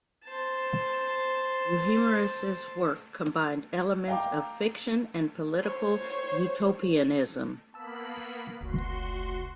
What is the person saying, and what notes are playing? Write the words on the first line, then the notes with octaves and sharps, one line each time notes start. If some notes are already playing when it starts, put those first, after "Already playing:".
Euhemerus's work combined elements of fiction and political utopianism.
C5 A5
F5 G5 A#5 D6
C5 C#5
A#3 B3 A5 B5 E6
F1 C#2 F#4 C6